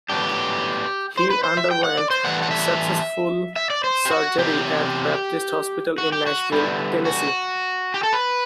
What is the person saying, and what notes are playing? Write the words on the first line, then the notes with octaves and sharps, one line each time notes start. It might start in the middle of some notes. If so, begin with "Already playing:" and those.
He underwent successful surgery at Baptist Hospital in Nashville, Tennessee.
A2 F#3 B3 D4 G4
C5
B4
C5
E5
G5
F#5
D5
C5
A2 E3 G3 B3 D4 F#5
F#5
E5
E5
D5
C5
G4
F#4
E2 C3 F#3 G4
F#4
G4
F#4
D3 G3 B3 E4
F#4
G4
A4
B4